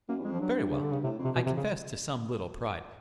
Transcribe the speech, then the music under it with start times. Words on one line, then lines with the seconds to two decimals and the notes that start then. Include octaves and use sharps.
Very well: I confess to some little pride.
0.09 F#2 A#3
0.19 E2
0.24 F2 G#3
0.32 F3
0.40 G2 F#3
0.71 C#3
0.82 D3
0.92 C#3
1.04 A2 C3
1.19 F2
1.24 C3
1.35 B2
1.46 C3
1.57 C#3